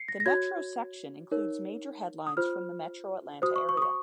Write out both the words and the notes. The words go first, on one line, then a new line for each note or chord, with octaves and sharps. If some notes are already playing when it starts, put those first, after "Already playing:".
The Metro section includes major headlines from the Metro-Atlanta area.
Already playing: C7 C#7
A#6
A#6
F#4 C#5 G#6
D#4 A#4 C#5
D#6
F4 C5 F6
F#4 C5 D#6
C#6
C#6
D#6
C#6